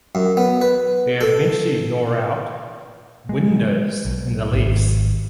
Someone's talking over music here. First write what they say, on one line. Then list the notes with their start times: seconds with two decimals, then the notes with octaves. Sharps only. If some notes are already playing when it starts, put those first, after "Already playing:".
They eventually gnaw out "windows" in the leaves.
0.15 F#2
0.37 B3
0.61 B4
1.21 A4
3.29 G#3
4.05 B1
4.50 G#1